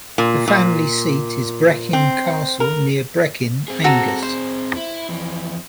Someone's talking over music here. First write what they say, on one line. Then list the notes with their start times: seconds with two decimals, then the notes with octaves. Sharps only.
The family seat is Brechin Castle near Brechin, Angus.
0.18 A#2
0.48 A#2
1.93 C4
2.60 A#4
3.68 C4 G#4
3.84 F#4 A4 A#5
4.23 C5
4.76 E4
5.09 F2 E3